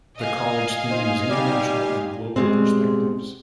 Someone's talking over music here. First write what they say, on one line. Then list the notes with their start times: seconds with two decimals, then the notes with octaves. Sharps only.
The college theme is "International and Global Perspectives".
0.19 D#5 F5 G#5
0.90 D#4 C5
1.29 G3 C4 D#4 G4 D5 F6
2.36 B2 E3 G3 G#3 C4